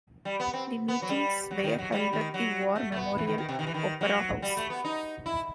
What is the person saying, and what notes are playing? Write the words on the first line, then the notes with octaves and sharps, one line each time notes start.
The meetings were held at the War Memorial Opera House.
G3
B3
C4
B3
F#3
G3
F#3
D#3
F#3
G3
D#3
F#3
A3
A3
B3
E3
D#3
D#3
C3
D#3
E3
D#3
F#3
G3
A3
B3
D#4
E4